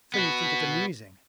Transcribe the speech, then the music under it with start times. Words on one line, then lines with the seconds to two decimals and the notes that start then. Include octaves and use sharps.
"So you think it amusing?"
0.14 B3 F#4